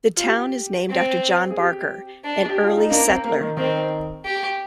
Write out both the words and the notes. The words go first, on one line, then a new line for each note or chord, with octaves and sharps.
The town is named after John Barker, an early settler.
F4
G4
C4
G#4
G4
D4
G4
F4
D#4
A#3 D4
C4
A#3
D#3
D#3 C4
G4